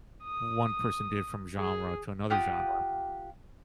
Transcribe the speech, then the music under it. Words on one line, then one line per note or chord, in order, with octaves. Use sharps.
one person did from genre to another genre
D#6
G#4
F4 G4 F#5 D#6